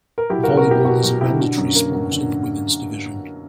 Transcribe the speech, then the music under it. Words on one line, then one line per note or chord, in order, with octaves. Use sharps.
Volleyball is a mandatory sport in the women's division.
A#4
F#3 E4 G4
B2 F#4 A#4
F#4 A#4
A#3 E4 G4
B2 F#4
F#3 F#4
B2 E4 G4
D3 F#4
F#2
A#3
F#2
D3